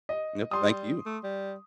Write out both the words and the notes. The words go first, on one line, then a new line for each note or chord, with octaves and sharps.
Yep, thank you.
D#5
G3 C6 D#6
A3
G3